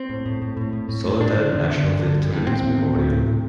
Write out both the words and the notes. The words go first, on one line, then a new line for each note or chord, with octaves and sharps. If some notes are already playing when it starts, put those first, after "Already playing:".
Soledad National Veterans Memorial.
Already playing: C4
A2
A2
A2
A2
A2
A2
A2
G2 D4
D3
D3
D3
G2
D3
G2
G2
A2 C4
A2
A2
A2
A2
A2